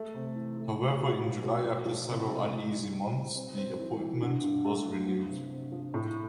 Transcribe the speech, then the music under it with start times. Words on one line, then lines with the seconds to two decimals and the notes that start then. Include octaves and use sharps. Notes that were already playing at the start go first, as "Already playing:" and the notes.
However, in July after several uneasy months the appointment was renewed.
Already playing: A3
0.14 C3
0.35 E3
0.57 A3
0.79 F4
1.00 B2
1.21 F4
1.43 B2
1.65 F3
1.86 F3
2.07 C3
2.29 A3
2.50 E4
2.71 G3
2.93 G3
3.15 C4
3.36 C4
3.57 C4
3.79 E3
4.00 E3
4.22 D3
4.44 G2
4.65 A3
4.86 G2
5.07 F3
5.29 C3
5.50 C3
5.72 F3
5.94 A2